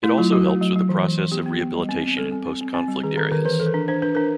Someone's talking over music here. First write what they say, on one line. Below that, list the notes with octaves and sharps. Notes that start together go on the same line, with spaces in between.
It also helps with the process of rehabilitation in post-conflict areas.
A3 E4
F#3 F4
F#3 F#4
A3
F#3
F#3
E3
E3
E3
B3 G4
B3
B3
G3
C4
C4
G3 A4
C4
C4
C4
C4
G3
D#3 G#4
D#3 A4
D#3 A#4
E3 B4
E3 A4
A#4
D4
D4 C5
D4 B4
D4 A#4